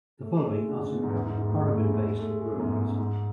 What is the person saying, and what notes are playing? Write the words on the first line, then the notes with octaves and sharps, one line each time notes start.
The following are some Oregon-based breweries.
A3
G#3
A3
G#3
D3
C#3
B2
G#2
E2
F#2
G#2
G#2
A2
G#3
A3
G#3
A3
G#3
A3
G#3
G#3
B2
F#2
G#2
F#2
F#2
G#2